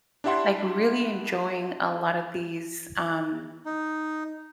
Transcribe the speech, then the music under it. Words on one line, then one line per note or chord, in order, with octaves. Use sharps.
Like, really enjoying a lot of these, um,
D4 E4 G4 E5 F#5 C6
D#4